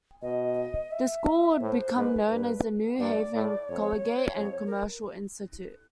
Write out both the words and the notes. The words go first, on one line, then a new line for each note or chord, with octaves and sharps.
The school would become known as the New Haven Collegiate and Commercial Institute.
B2 D#5
E5
A2 C5
G#2 B4
G2 B4
G2 D5
A2
F2 C#5
F2
A#4